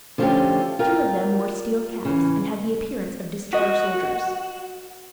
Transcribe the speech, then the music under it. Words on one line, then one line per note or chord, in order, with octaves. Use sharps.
Two of them wore steel caps, and had the appearance of discharged soldiers.
D3 F3 A3 C4 C#4 G4
F4 A#4 G5
C#3 E3
F#4 A#4 D#5